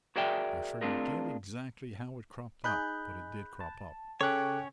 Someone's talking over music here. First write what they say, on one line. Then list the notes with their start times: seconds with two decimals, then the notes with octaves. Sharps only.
I forget exactly how it cropped up, but it did crop up.
0.16 F#4 G#4 A#4 D5 E5 G5
0.81 A3 C4 D4 F4 G#4 A#4
2.64 D#4 G#4 B5 F#6 G6
3.60 A5
4.21 C#3 C#4 A4 C#5 G5 D6 F#6